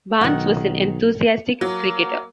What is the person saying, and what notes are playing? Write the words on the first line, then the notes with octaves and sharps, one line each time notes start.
Barnes was an enthusiastic cricketer.
B1 D#3 F#5
F#3 A#3